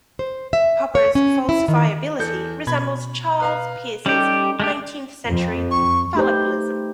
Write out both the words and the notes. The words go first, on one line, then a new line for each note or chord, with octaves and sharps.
Popper's falsifiability resembles Charles Peirce's nineteenth century fallibilism.
C5
E5
C#5
C#4
E4
D#3
E2 A4 G6
B2 B5 G#6
B4 F5 A#5
G3 C#4 D#4 G4 A4
G#3 A3 G4
F2
C#6
A3 D#4 G4 B4 C5